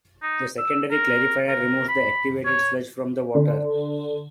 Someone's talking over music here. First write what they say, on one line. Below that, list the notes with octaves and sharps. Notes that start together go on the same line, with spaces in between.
The secondary clarifier removes the activated sludge from the water.
D#4
E6
A#4
A#4
B5
C#5
D3